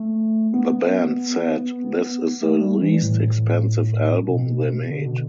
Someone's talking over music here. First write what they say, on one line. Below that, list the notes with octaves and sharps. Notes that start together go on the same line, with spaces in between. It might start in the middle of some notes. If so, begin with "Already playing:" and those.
The band said this is the least expensive album they made.
Already playing: A3
B3
A3
G3
E3
A2
B2
D3
B2